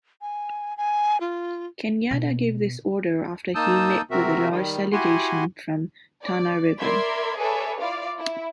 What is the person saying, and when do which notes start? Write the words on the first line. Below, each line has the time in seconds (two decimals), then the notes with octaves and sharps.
Kenyatta gave this order after he met with a large delegation from Tana River.
0.21 G#5
0.77 G#5
1.21 F4
2.11 B2
3.55 A#3 D#4 A5 D#6 E6 G6
4.11 C3 C4 F#4 A#4 E5
4.50 D#3 G3
4.93 E4 F#4 G4 F#5 G#5 C6
6.23 D5
6.79 A#4 D5 E5 B5 C6 G#6
7.37 G#4 A4 B4 C#5 D5 E5
7.80 E4 F4 D5 F5
8.18 E4